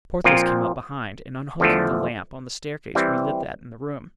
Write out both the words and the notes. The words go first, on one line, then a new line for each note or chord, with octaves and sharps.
Porthos came up behind, and unhooking the lamp on the staircase relit that in the room.
A#2 F3 C4 F4
E2 D3 F3 A3
E3 G3 C4